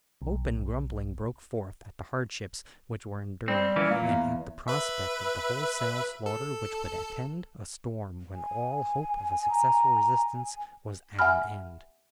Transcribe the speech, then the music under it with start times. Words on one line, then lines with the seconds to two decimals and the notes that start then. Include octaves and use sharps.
Open grumbling broke forth at the hardships which were endured, and at the prospect of the wholesale slaughter which would attend a storm when all hope of a successful resistance was at an end.
0.22 B1
3.48 G3 C4
3.76 E3 A#3 C#4
3.90 A#2 A#3
4.03 E2
4.68 B4 E5
6.26 A4
8.34 G#5
9.49 A#5
11.19 E5 F#5 G#5 B5 F6